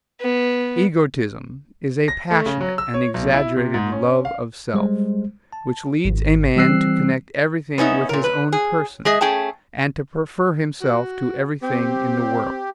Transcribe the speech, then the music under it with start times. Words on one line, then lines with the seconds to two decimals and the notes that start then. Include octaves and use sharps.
Egotism is a passionate and exaggerated love of self, which leads a man to connect everything with his own person, and to prefer himself to everything in the world.
0.21 B3
2.08 A#6
2.31 A3
2.46 C#3
2.61 F#3
2.78 E6
2.94 C#5
3.14 B1
3.34 E4
3.56 C3
3.74 G#2
3.92 C#4
4.25 F5
4.74 G3 G#3 C5
5.53 A5
6.05 G#1
6.56 E3 G3 C4 E6 F#6 C7
7.78 B3 C#4 D#4 E5
8.09 A#2 A#4
8.24 B4
8.52 G#4
9.05 G#3 G#4 D#5 E5
9.21 A3 C#4 G#4 G5 A5
10.81 F#4
11.62 C4 G4